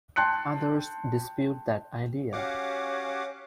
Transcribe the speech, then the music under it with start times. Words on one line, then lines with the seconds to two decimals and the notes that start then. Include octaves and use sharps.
Others dispute that idea.
0.16 G5 A5 C6 F#6 C#7
2.33 C#4 F#4 G4 C#5 F5 F#5 D6